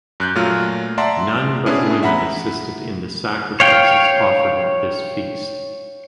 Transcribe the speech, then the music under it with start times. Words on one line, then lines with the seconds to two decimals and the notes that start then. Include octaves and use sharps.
None but women assisted in the sacrifices offered at this feast.
0.20 F#2 F#6 G6
0.35 A#2 F#3 A3 F4 F6
0.98 D5 E5 F#5 A5 A#5 C6
1.66 B3 C#4 D4 E4 G#4
2.03 E5 F#5 A#5 B5
3.60 C#5 F5 G5